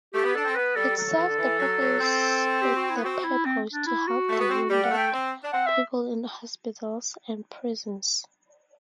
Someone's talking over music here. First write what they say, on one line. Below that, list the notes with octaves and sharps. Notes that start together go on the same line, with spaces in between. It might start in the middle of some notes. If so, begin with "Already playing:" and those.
It served the purpose to help the wounded people in hospitals and prisons.
A3 G4
B3
D4 A4
C4
B3 B4
G3 A4
F#3 A4
F#3
E3
D3
E3
F#3
F#3
C4
G4
F#4
E4
B3
C4 F#4
E4
C4
D4
E4
F#4
A3
B3
C4
G3 G4
F#5
A3
G5
C4
D4
C4 F#5
E5